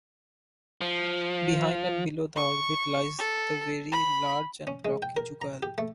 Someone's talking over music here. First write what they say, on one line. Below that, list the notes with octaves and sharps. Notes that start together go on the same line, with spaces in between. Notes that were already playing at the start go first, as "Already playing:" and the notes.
Behind and below the orbit lies the very large and blocky jugal.
F3
C#6
A4
B5
C#4
G#3
G5
A#4
A#5
G4
A3